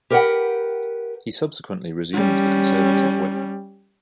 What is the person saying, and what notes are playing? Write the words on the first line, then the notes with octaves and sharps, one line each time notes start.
He subsequently resumed the Conservative Whip.
G4 A#4 B4 C#5 F#5 G5
G3 C#4